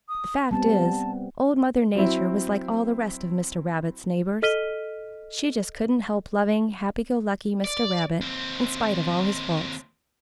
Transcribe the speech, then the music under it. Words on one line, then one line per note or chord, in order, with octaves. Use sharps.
The fact is, Old Mother Nature was like all the rest of Mr. Rabbit's neighbors--she just couldn't help loving happy-go-lucky Mr. Rabbit in spite of all his faults.
D#6
G3 B3 C4 A5
F#3 C4 E4
A4 D#5 F6 B6 D#7 G7
D5
D#2 C4